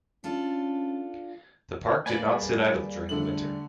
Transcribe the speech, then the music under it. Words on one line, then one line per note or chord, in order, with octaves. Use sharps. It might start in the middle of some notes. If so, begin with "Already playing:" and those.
The park did not sit idle during the winter.
C#4 D4 F4 A4
A#3 B4 D5 G#5 B5
G3 G#4
D3 A3 F#7